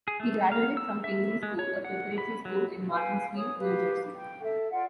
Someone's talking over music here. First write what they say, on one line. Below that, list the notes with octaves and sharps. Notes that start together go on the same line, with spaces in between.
He graduated from Pingry School, a preparatory school in Martinsville, New Jersey.
G#4
A3
F5
E6
E5
G#3
C#5
F#5
B5
F#3
B4 F5 G5 G#5
C#5 D#6
G4 B4 F5
G5
A4 E5
F4 D5 F#5 G5